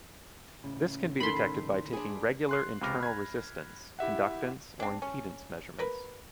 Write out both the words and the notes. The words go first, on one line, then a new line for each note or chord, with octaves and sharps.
This can be detected by taking regular internal resistance, conductance or impedance measurements.
A2 C#3 C#4
D#3 A4 B5 C6
D4 G#4
C6 F#6 C7
C#2 C3 B5 D6 F6 A#6
B5 G#6
E4 G4 E5 F#5
C4 D4
C#4
A#4 B4